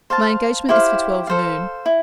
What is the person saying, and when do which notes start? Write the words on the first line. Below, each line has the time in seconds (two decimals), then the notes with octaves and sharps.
My engagement is for twelve noon.
0.10 C5 F5 A5
0.69 E4 G4 C5 F5
1.27 A4 C5 F5
1.86 E4